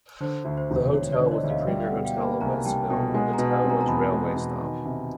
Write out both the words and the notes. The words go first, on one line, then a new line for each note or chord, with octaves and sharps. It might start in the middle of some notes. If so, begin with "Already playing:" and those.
The hotel was the premiere hotel in Westville when the town was railway stop.
D3 C5
D2
C5
E1
E1 C#5
C5 D5
D3
C#5 D#5
D2
D#5 F5
G3 D5 E5
F5
E5 F#5
B2
F5 G5
A#3
A5 B5
C2 G#5 A#5
G3 G5 A5
B2 G5 A5
G#3 F#5 G#5
G#5 A#5
B2 A5
F#5 G#5
C4
G#5 A#5
A#5
E2 A5 B5
G#3
B2
D#3
C3